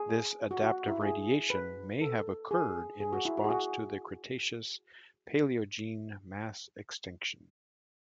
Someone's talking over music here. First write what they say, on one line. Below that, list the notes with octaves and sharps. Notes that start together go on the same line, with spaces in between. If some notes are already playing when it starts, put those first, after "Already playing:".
This adaptive radiation may have occurred in response to the Cretaceous-Paleogene mass extinction.
Already playing: G#4
F#4
F#4
E4
G#4
B4
A4
G#4
G#4
F#4
E4
F#4
G#4
F#4